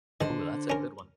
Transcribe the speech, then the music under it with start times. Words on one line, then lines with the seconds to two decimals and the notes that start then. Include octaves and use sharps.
Ooh, that's a good one.
0.21 D3 D#3 C5
0.70 C#4 A#4